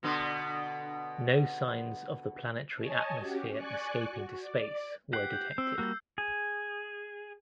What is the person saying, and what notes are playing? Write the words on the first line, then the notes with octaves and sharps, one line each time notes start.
No signs of the planetary atmosphere escaping to space were detected.
B2 D3 B3
C#5 D#5 G#5 A5
C#4 F#4 G4
D5 G#5 C#6 F#6
F#4
D5
G4 F#5 C7
G6
C4 E6
G3 A#3 F#4
G#4